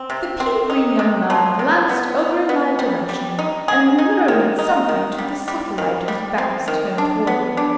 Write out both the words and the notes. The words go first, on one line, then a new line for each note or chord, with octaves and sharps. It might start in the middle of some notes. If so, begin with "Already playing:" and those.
The pea-green young man glanced over in my direction, and murmured something to the satellite, whose back was turned towards me.
Already playing: C4
C3
C4
D#4
C3
F3
C3
B3
D#4
B3
G3
G3
D#4
G#4
D#4
D#3
D#4
D#3
G3
G3
D#3
G3
C4
D#3
D4
B3
D4